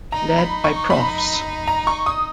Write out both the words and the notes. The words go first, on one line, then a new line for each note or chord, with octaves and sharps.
Led by Profs.
D#4 A#5
B5
C#6
B5
A#5
C#6
D#6